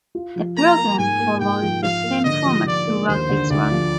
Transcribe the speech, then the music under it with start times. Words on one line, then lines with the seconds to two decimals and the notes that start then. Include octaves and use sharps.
The programme follows the same format throughout its run.
0.15 F4
0.36 F3
0.57 A#3 A#5
0.78 A#3
0.98 G#2 G#5
1.20 A#3
1.40 G#2 G5
1.62 F3
1.82 F3 F5
2.04 A#3
2.24 D3 D#5
2.45 F3
2.66 F3 D5
2.87 A#3
3.08 D#2 C5
3.29 D3
3.50 D2 D5
3.71 F3